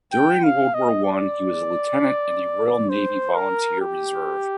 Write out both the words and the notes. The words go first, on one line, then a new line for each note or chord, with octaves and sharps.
During World War One he was a lieutenant in the Royal Navy Volunteer Reserve.
G5
F5
D#5
D5
C5
A#4
G4